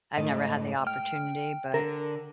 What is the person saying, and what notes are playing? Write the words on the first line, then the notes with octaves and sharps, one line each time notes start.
I've never had the opportunity, but
G#2 A3 D#5
G5 F6
D3 A#4